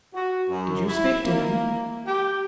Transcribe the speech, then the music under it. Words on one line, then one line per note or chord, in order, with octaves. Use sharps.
"Did you speak to him?"
F#4
F#2
E4
A#3
G4